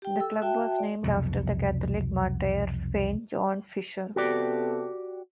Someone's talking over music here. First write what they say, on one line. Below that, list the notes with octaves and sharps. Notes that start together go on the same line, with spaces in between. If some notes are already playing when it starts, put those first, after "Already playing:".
The club was named after the Catholic martyr Saint John Fisher.
G4 G5
A4 E6
F#4 E5 G5 A5
D5
C2 F2 B2 F#3
C3 B3 F#4 G4 A4 D5